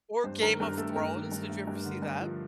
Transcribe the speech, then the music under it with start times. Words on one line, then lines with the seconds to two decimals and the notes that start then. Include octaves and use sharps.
Or Game of Thrones? Did you ever see that?
0.24 G2 C5
0.42 D#3 A#4
0.60 G2 A#4
0.78 A3 A4
0.96 G2 A#4
1.14 D#3
1.32 G2
1.50 A3
1.67 G2
1.85 D3
2.02 G2
2.21 F3